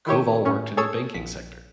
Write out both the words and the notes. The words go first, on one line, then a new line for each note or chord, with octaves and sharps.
Koval worked in the banking sector.
D#3 E4 G4 C#5
A2 C#4
G#4 A4 C#5 A5 E6 G#6
A#1 B6